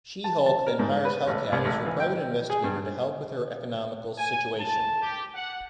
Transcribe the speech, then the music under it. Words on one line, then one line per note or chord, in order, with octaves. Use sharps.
She-Hulk then hires Hellcat as her private investigator to help with her economical situation.
A5
A5
A#4
G#2
B4
A1
C2
A1
E3
G5
G#4
G2
G#5
A5
G4
F#5